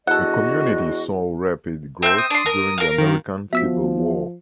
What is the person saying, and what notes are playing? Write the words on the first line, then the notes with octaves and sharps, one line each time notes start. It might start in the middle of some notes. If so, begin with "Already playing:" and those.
The community saw rapid growth during the American Civil War.
E2 D4 F#4 A4 D#5 F#5
C4 E5 G6
D#6
D4 C6
A#4
A#4 F5
D#3
F3 B3 F#4 E5 E6 B6